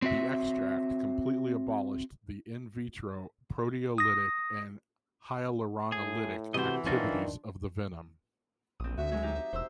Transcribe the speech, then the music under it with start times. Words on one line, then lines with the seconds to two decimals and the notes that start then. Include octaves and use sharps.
The extract completely abolished the "in vitro" proteolytic and hyaluronolytic activities of the venom.
0.02 C4 F#4 E5
3.98 D#6 A#6
5.92 A2 G#4
6.54 C3 E3 A3 F#4 C5 D#5
6.86 D#3 F3 C#4 D4 F4 F#4
8.80 A#1 C4 D#6
8.97 D2 F#4 E5
9.12 F#3 G#3
9.23 D#4 G4
9.53 E1 C5 E6